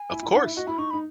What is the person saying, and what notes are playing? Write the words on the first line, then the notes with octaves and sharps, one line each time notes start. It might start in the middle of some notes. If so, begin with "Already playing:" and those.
Of course,
Already playing: G#5
E4
E4
D#4 F#5
E4 E5
F#4 D#5
E4 B5
D#4 C#6
B5
D#4